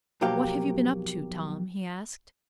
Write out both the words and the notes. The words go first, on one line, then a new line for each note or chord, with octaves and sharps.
"What have you been up to, Tom?" he asked.
B1 F2 F#3 A#3 G4 F5